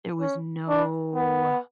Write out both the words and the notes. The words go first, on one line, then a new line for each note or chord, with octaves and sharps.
there was no,
C#4
D4
B3